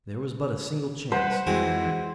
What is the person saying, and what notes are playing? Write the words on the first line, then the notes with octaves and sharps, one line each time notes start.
There was but a single chance.
G3 B4 C5 F#5
F2 E3 G#3 C4 F#4